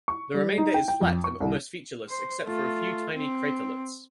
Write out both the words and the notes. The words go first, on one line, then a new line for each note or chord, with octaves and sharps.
The remainder is flat and almost featureless except for a few tiny craterlets.
C#6
G3
D#4
G5
G5
F2
C#6
C2
C5
A3 F4
C4